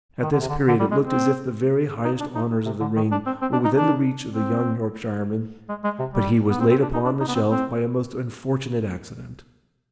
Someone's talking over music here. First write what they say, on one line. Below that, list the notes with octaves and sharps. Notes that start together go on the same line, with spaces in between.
At this period it looked as if the very highest honours of the ring were within the reach of the young Yorkshireman, but he was laid upon the shelf by a most unfortunate accident.
D#3
D3
C3
D3
D3
G3
G#3
C4
D#4
D4
D#4
C3
D3
D#3
D4
C4
C4
D4
D#4
D4
C4
G#3
G#3
C3
G3
B3
C4
C4
D4
D#4
D4
D#4
B3
C4
C4